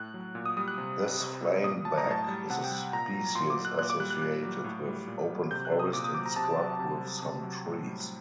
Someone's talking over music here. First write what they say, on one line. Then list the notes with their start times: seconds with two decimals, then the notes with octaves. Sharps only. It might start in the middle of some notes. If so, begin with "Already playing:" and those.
This flameback is a species associated with open forest and scrub with some trees.
Already playing: A2 F#6
0.14 F#3
0.35 A#2
0.46 D#6
0.57 G3 D#6
0.68 F#6
0.78 C3
1.00 C3
1.21 C3
1.42 G3
1.64 A#2 D#6
1.85 F#3 A5
1.98 A#5
2.07 A2 A5
2.28 G3
2.50 C3 F#5
2.64 G5
2.71 G3
2.93 A#2 A#5
3.14 F#3
3.35 A#2 C6
3.50 D6
3.57 F#3
3.65 F#6
3.78 A#2 F#6
3.90 D6
4.00 G3 F#6
4.10 F#6
4.22 A#2 F#6
4.43 F#3
4.64 A2
4.85 G3
5.07 A#2
5.29 F#3
5.51 C3 G6
5.65 F#6
5.72 C3
5.79 D#6
5.93 A#2 D6
6.04 D#6
6.15 F#3 D6
6.26 A#5
6.36 C3 A5
6.57 F#3
6.79 C3
7.00 G3
7.22 C3
7.43 F#3
7.66 A2
7.87 G3